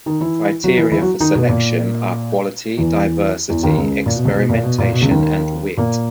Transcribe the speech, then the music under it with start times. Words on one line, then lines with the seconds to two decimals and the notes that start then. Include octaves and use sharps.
The criteria for selection are quality, diversity, experimentation and wit.
0.06 D#3 D#4
0.20 E3 E4
0.64 F#3 F#4
0.77 E3 E4
0.92 E3 E4
1.01 F#3 F#4
1.20 D#3 D#4
1.35 B2 B3
1.49 A#2 A#3
2.78 E2 E3
3.49 E2 E3
3.63 D#2 D#3
3.78 C#2 C#3
4.06 A#2
4.16 B2
4.25 C#2 C#3
4.36 B2
4.49 A#2
4.63 B2
4.78 A#2
4.93 B2
5.01 C#2 C#3
5.11 D#2 D#3
5.77 A#2 A#3